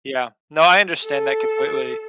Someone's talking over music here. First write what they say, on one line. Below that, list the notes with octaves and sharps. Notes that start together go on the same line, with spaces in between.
Yeah, no, I understand that completely.
A4